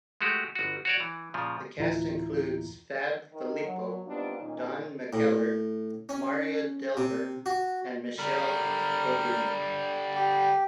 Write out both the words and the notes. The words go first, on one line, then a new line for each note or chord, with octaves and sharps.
The cast includes Fab Filippo, Don McKellar, Marya Delver and Michelle Beaudoin.
G#3 A3 F#4 G4
G1 F#4
F#4 C#5 D5
E3
A#2 C#3 F3
D2 A2 E3 E4 F4 A#5
D#3
F#3
G3 B3 C4 D4 D#4 F4
A#2 D#3 C#4 D#4
A2
C#4
C3
F#4
D3 G3 A#4
G4